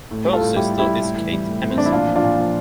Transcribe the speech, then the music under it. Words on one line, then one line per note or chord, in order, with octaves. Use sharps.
Her sister is Kate Hennessy.
A2
G3
F4 A4
A2
G3 E4 G4
A2
E4 G4
G3
A2
E3
G3
A2
A2
C4
E3 D4
E4
A#2 D4 F4
F3
D4 F4
A#2
F3